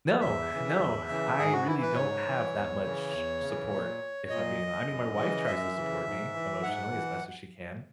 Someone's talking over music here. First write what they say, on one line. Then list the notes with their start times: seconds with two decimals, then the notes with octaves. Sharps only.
no, no, I really don't have that much support if I'm being I mean, my wife tries to support me emotionally as best as she can.
0.21 E2 E5
0.51 C#3 E3
0.79 E2
1.08 C#3 E3
1.38 G#2 G#4
1.53 F#4
1.67 E3 E4
1.82 B4
1.96 G#2 C#5
2.26 E3
2.55 E2
2.84 C#3 E3
3.13 E2
3.42 C#3
3.47 E3
3.71 A#2
4.30 A#2 D#5
4.88 F#2
5.17 C#3 E3
5.46 F#2 E5
5.76 C#3 E3
6.05 G#2
6.34 E3
6.62 G#2 F#5
6.92 E3